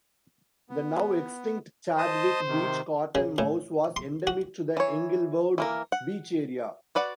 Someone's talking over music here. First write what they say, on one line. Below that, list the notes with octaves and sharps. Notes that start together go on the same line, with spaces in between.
The now extinct Chadwick Beach cotton mouse was endemic to the Englewood Beach area.
B3
C5 D#5 A5 D#6
C3 D#3
C#3
A2
C6
F#4
E3 C#5
E3 A#3 A#4
F#5
F#4 B4 D5 F#5